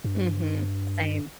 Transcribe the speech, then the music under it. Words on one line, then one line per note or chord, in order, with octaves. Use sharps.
Mhm. Same.
G2